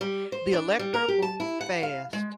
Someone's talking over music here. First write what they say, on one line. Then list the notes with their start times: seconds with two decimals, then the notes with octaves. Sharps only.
The elector moved fast.
0.01 G3
0.32 C5
0.53 D4
0.79 G3
0.94 A#4
1.08 G4
1.22 A5
1.40 E4
1.61 F#5
1.83 F5
2.13 G#3